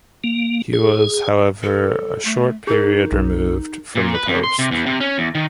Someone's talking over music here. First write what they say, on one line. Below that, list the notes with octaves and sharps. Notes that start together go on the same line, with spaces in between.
He was, however, after a short period removed from the post.
A#3
G#4
A4
A3
D#4 G#4 A#4
B1
A#2
B4
F2
C6
C3
E2
C3
C#4
E2
D#3